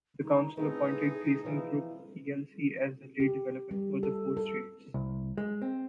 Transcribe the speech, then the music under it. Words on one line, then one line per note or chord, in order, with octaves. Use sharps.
The council appointed Gleeson Group plc as the lead developer for the four streets.
D#4
A2 A3 B3 C4 D#4 G#4
B2 E3 F3
G4
G3
A4
A4
C2
G#3
C4